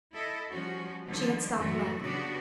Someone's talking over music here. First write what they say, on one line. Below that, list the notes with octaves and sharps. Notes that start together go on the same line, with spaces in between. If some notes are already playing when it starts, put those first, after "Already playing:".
She had stopped laughing.
E4 A4 D#5
F3 G3 C#4 F#4
D3 D#3 F3 G3 B3
F#2 A2 E3 A3 F#4
C#3 B3 D4 F#4 G4